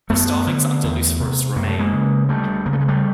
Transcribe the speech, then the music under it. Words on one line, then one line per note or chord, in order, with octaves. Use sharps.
The Starvelings under Luseferous remain.
F#2 A3 B3
D3
E2
C3
F#2 A#3
A3
G#3 A#3
C#3
D2 G3 A3
C#3 A#3
A3
G#3
G3 A3